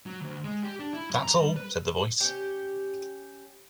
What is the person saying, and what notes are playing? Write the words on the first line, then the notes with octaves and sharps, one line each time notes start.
"That's all," said the Voice.
F#3
D2
G#3
G4
D4
E4
F#2
A#5
G3
B4
C#4 G4